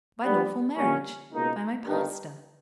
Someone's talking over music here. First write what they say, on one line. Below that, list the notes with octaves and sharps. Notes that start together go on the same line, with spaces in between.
"By lawful marriage, by my pastor."
G2 G3 B3
A#1 A#2 G3 A#3 C#4
C#2 B2 A#3 D#4
G1 G2 D#3